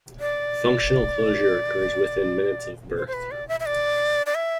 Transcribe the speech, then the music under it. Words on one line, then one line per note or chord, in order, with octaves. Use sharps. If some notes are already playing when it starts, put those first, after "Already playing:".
Functional closure occurs within minutes of birth.
D5
C5
C5
B4
D5
E5
E5
D5
D5
E5